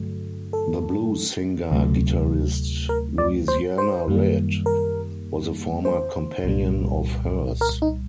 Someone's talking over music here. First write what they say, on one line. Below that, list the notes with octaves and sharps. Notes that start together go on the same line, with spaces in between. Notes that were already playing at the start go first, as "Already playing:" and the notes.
The blues singer-guitarist Louisiana Red was a former companion of hers.
Already playing: G2 D3 F#3 A3
A4
D2 C3 F#3 A3
A#4
D5
C5
C5
F#2 D#3 G3 A#3
A#4
C5
C2 A#2 G3
A#4
D#4